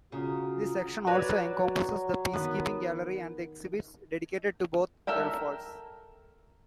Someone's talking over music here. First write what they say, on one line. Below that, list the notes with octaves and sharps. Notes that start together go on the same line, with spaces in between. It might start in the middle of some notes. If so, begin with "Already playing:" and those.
This section also encompasses the Peacekeeping Gallery and exhibits dedicated to both Gulf Wars.
C#3 F4 F#4 A#5 D#6
F#3 F#4 B4 C#5 D5
D#3 B3
A4 A#4 E5 G5